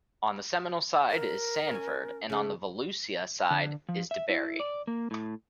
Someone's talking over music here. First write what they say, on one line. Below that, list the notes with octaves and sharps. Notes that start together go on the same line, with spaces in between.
On the Seminole side is Sanford and on the Volusia side is DeBary.
A#4
C#4 G#5
C#3 A3 A4
D3
F3
E5
E4
D5
A#3
A2